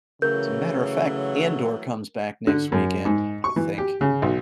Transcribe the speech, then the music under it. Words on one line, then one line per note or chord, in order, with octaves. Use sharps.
As a matter of fact, Andor comes back next weekend, I think.
C#3 E3 F#3 A3 A#4 G6
D3
F#2
G#2
C#6
E3
G4
C#3
B1